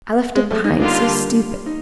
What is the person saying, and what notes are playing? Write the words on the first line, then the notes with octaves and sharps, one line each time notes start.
I left it behind; so stupid!'
G#3
A3
D#4
D3 G3 A#3 D4 F4
D#4